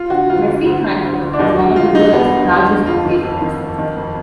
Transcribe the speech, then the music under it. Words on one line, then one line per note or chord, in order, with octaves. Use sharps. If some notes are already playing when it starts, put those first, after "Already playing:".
Messe Frankfurt is one of the world's largest trade fairs.
Already playing: F4
D3 F#4
D2 F4
D3
D2
D3
D2
D3
D4
D#2 D#4
D3 F#4
D#2 F4
D3 D#4
D#2 B3
D3
D#2
D3
F2 F4
D#3
F2
D#3
F2
D#3
F2